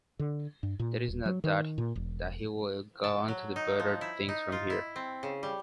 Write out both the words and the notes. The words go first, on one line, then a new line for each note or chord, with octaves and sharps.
There is no doubt that he will go on to better things from here.
D3
G2
A#2
D#1
F#3
D#3
A#2
E1
A5
F#3
D#4
F3
E4
D#4
F4
E4
C4
C#3
G3